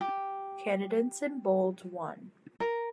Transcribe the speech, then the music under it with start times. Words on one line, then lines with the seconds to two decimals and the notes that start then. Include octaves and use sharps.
Candidates in bold won.
0.01 G4
2.60 A#4